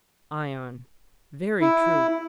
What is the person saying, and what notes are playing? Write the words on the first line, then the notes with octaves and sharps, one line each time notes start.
ION: Very true.
E4